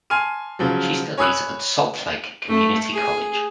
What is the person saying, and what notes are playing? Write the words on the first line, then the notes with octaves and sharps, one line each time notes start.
She studies at Salt Lake Community College.
G#5 A5 C6 F6 D#7
C#3 F3 F#3
C#5 G#5 B5 D#6 E6 F#6
A3
G#4